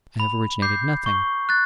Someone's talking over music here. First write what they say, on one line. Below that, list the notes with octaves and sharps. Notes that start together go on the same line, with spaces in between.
I have originated nothing.
B5
D6 G6 C7
C#6
F#6 A6